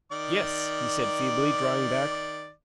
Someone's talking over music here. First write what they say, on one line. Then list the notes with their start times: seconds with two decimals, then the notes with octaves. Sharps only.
"Yes," he said, feebly, drawing back.
0.12 D#3 D5 D6